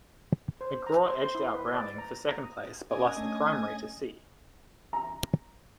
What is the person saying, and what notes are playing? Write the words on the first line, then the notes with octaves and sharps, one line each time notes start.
McGraw edged out Browning for second place but lost the primary to See.
C5
A#5
C5
C6
E4
B4
D5
A#5
A#5
D#6
C#4 A#4 D5 D#5 G#5
A3 C#4 D4
A#5